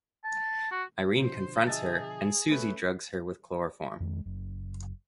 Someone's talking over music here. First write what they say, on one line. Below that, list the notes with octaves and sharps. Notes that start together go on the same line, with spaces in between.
Irene confronts her and Susie drugs her with chloroform.
A5
F#4
B2 D3 F3 C5
G#4 D#5 E5 A5 E6 A6
A3 C#4 B4
F2 D#3 G#3
F#1 F#2